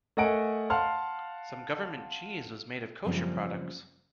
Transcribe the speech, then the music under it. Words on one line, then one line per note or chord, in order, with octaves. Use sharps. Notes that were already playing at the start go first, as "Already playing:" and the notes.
Some government cheese was made of kosher products.
A3 A#4 D#5 F#5 G#5 D7
F5 F#5 A5 C6 F6
F#2 C#3 F3 G3 A#3 C4